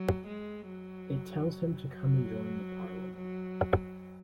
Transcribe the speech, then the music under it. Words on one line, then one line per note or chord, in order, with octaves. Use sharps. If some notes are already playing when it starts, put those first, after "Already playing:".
It tells him to come and join the parliament.
Already playing: F#3
G#3
F#3
F#3
F#3